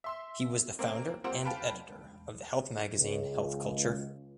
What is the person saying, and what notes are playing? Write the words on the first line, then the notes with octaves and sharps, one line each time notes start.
He was the founder and editor of the health magazine "Health Culture".
E5 C6 E6
A#3 C4 C#4
A#3 C4 F4 G4 C5 F#5
B4 F5 G5 A5
C#2